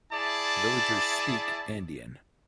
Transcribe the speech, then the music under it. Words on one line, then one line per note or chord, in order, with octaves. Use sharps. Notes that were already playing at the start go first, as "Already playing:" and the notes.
Villagers speak Andean.
E4 G#4 D5 A5